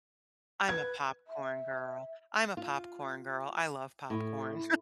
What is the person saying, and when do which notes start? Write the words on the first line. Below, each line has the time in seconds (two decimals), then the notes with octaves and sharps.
I'm a popcorn girl. I'm a popcorn girl. I love popcorn.
0.69 B4 G#6
1.27 E5
2.57 F4
4.10 A2